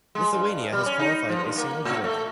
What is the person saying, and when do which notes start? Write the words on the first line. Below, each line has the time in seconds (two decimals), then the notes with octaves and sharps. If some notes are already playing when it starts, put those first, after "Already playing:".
Lithuania has qualified a single judoka.
0.15 G#3
0.34 G2
0.73 G3
0.86 C#4
0.99 D#4
1.29 F3
1.44 G2
1.57 A#3
1.85 A2
2.04 A3